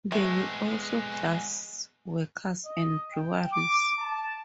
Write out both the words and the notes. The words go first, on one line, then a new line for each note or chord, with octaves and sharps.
There were also glass-works and breweries.
G#3 A3 B3
D#5
G5
D6
A5